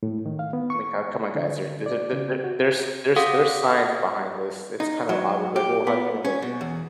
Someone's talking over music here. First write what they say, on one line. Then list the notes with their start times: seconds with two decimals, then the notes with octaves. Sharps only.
I mean, "Co come on, guys, there's there's, eh there's there's, there's there's there's science behind this, it's kind of obvious," be like, "Well, how do you know?" Be like,
0.03 A2
0.26 D#3
0.39 F5
0.53 B3
0.70 C#6
1.35 D3
1.86 D5
2.13 C#3
2.29 C4
2.44 F#4
3.16 G4 A4 F5 F#5 D#6
4.80 D#4
5.09 F#3
5.56 G4
5.87 B3
6.25 C#4
6.42 B2
6.61 E2